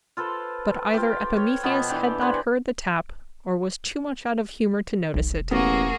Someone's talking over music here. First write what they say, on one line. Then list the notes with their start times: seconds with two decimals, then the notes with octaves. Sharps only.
But either Epimetheus had not heard the tap, or was too much out of humour to notice it.
0.17 F4 A4 B4 C5
0.94 F4 G4
1.37 C#5
1.63 B2 F3 B3 A5
1.90 E3 D4 G4
2.21 G#4 B4 C5 D5
5.14 E1 B1
5.51 A1 A#3 B3 F#4 G#4